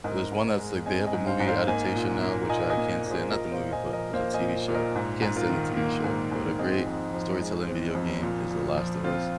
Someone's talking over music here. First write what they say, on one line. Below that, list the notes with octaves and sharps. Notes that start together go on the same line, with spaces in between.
there's one that's, like, they have a movie adaptation now, which I can't stand, not the movie, but it's a TV show, can't stand the TV show, but a great storytelling video game is The Last of Us.
G#2 A#4 D#5
G#2
G#3
C4 D#5 G#5
D#5 G#5
G#2
C5 F5
G#2
C5 F5
A#3 D#5 G#5
A#2
A#3
A#2 D#5 G#5
D#5 G#5
A#3
A#2
G#4 C5
A#2 A#4 D#5
C5 F5
A#2
D#5 G#5
F3
A#4 D#5
A#3 C5 F5
D#5 G#5
A#2
A#2
A#4 D#5
G#2
G#2
F4 A#4
D#3
A#3
G#2
G#2
C4 D#4 G#4
F2
F3
G#3
C4
F2
A#2
A#2
F3
C4 F4